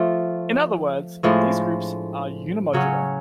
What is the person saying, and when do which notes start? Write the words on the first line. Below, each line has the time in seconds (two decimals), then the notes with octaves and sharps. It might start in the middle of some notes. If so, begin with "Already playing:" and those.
In other words, these groups are unimodular.
Already playing: F3 A3 F4
1.23 A2 F3 G#3 D4
2.73 C#3 F#3 C#4